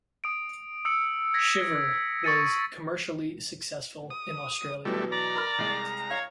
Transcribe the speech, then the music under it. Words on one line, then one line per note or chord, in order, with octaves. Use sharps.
"Shiver" was commercially successful in Australia.
D#6 D7
D#6 E6 C#7 D7
G#6 A#6 B6
C#6 E6 A6 C#7 D#7
D#6
B2 E3 F#3 G3 A3
D5 A#5
A#4 B5 F6
C2 G#3
C#5 F5